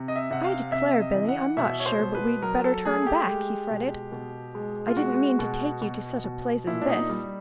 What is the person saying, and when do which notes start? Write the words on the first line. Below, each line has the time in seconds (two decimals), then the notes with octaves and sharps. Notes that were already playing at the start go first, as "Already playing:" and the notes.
"I declare, Billy, I'm not sure but we'd better turn back," he fretted. "I didn't mean to take you to such a place as this."
Already playing: C3
0.08 D#5
0.16 E5
0.31 C3 F#5
0.44 F5
0.72 C3 E5
1.00 D#5
1.15 E3
1.28 F#5
1.57 B2 E5
1.80 C#5
1.86 C5
1.99 B2
2.15 B4
2.42 F#3 A#4
2.64 A4
2.85 A3 G#4
3.07 G4
3.28 G#3
3.70 B2
4.12 B2
4.55 G#3
4.87 F4
4.97 G#3 F#4
5.39 B2
5.82 B2
6.24 B2
6.67 A#2 E4
6.82 D4
6.89 D#4
7.09 G3